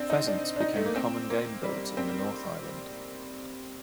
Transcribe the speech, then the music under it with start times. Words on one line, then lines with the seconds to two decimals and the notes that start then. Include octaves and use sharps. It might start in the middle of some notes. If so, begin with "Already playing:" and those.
Pheasants became common game birds in the North Island.
Already playing: C4 D4
0.10 D#4
0.27 D4
0.56 D4
0.60 D#4
0.76 A3
0.86 A#3
0.96 C4
1.30 A#3
1.64 G3
1.97 C4